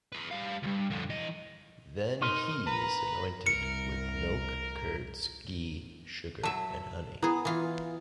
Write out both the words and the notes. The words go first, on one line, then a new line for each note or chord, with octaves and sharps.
Then He is anointed with milk, curds, ghee, sugar and honey.
G#4 B4
G3 F5
C#2 G2
F2 D3
E3 D#5
D#4 A#4 C6
B4 A#5
C2 A#4 C#7
F#3 E5 A5
B3 E4 G#4
E3 F4